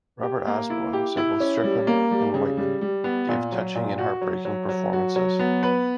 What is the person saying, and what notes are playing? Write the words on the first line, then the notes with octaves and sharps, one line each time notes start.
Robert Osborne said both Stricklyn and Wightman gave "touching and heartbreaking performances".
G4
A#3
E4
G4
E4
C#4
G3
A#3
G3
C#3
G3
G3
B3
A#2
F#3
A#2
F#4
F#3
F#3
F#3
F#4
F#3
B3
B4